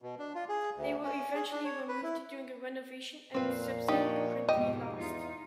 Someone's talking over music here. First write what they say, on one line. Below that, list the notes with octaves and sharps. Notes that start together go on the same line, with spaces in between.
They were eventually removed during a renovation and subsequently lost.
B2
D4
F4
G#4
D2
C#4
G#4
D4
C#5
B4
E4
F2 A#2 C4 B4 F5
F3 D4 D#4 G4 C#5
F2 G#2 B2 G4 D#5
E2 D#4 F4